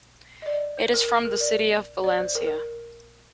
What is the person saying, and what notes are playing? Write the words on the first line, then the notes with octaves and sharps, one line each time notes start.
It is from the city of Valencia.
D#5
D5
C5
A#4
A#4
A#4
D5
D5
C5
A#4
A#4